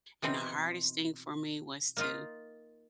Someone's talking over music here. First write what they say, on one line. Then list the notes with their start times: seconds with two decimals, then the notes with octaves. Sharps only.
and the hardest thing for me was to
0.22 B2 E3 C4 D#4
1.97 A#3 D#4 F4